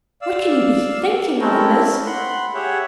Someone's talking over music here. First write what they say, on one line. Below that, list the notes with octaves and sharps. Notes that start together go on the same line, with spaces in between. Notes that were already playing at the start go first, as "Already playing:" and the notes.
What can you be thinking of, Miss?
D5 F5 E6
C4 C#4 E4 G4 A4 A#4
F#5 B5 C6
G4 G#4 C#5 E5 F#5